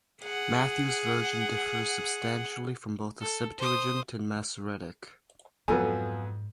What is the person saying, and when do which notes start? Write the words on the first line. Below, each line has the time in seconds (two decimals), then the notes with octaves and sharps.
Matthew's version differs substantially from both the Septuagint and Masoretic.
0.23 G#4 F#5
3.21 A4
3.59 C5 D#6
5.68 F2 G#2 F#3 B3 F4 A4 G#5